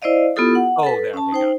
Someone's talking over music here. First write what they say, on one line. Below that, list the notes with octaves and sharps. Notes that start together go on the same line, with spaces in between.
Oh, there okay, got it.
E4 C5 D5 D#5 F5
B3 E4 F4 G4 A4 D#6
F#5
A4 B4
C#4 A5
D#4 C5 G5